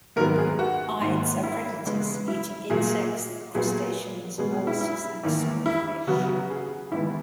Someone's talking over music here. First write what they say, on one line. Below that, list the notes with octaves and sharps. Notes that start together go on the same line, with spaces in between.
Ides are predators, eating insects, crustaceans, molluscs, and small fish.
G#2 D#3 F#3 B3 A#4
G#4
F#4
G#2 D#3 A#3
E4
E2 C#3 G#3 B3
E4
A#2 F#3 A#3 G#4
A#2 F#3 B3 G#4
B2 G#3 B3 G#4
G#4
E4
E4
E2 D#3 A#3
E4
C#3 F#3 B3 F#4
F#4
G#4
E2 D#3 G#3 B3 E4